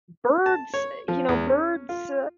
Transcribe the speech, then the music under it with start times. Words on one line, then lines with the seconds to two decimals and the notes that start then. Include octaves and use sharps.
Birds, eh, you know, birds, uh,
0.46 A5
0.74 C#5
1.08 F3
1.29 E2
1.46 C#4
1.89 F4